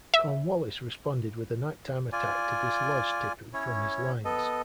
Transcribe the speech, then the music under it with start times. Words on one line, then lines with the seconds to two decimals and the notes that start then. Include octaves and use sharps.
Cornwallis responded with a night-time attack to dislodge Tipu from his lines.
0.14 E5
2.12 F4 D5 G#5
3.53 C#4 E4 C#5
4.25 B3 A4 D#5